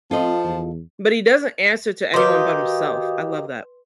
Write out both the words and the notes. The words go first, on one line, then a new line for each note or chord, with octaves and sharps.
but he doesn't answer to anyone but himself. I love that.
F3 C4 F4 A4 D#5 A5
E2
D#3 F#4 G4 B4 F5 C6 D#6